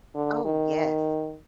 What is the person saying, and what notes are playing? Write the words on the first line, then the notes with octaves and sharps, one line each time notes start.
Oh, yes.
D3
D#3